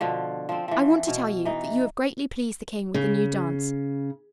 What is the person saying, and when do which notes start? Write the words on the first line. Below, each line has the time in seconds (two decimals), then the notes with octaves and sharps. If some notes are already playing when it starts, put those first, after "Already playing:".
I want to tell you that you have greatly pleased the king with the new dance.
0.01 B2 D3 F3
0.49 F3 C4
0.68 E3 F3
1.08 B2
1.45 E3 D#4
2.94 C#3